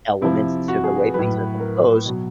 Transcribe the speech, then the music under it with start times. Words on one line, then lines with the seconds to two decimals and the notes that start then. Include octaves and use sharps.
element to the way things are composed.
0.21 C3 F3 E4
0.68 F#4
0.84 G#4
0.99 B4
1.14 A2 F#3 B4
1.60 A#4
2.05 B2 F#3